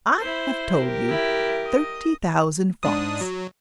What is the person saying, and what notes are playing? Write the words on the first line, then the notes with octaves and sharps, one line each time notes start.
"I have told you: thirty thousand francs."
E4 C5
G4 A#4
E4
D#5
G#2 D4 D#6
F#3